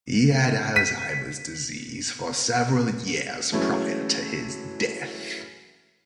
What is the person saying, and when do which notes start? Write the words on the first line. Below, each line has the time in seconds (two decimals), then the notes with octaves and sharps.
He had Alzheimer's disease for several years prior to his death.
0.76 B6 D#7
3.52 E3 F#3 G#3 A3 C#4 E4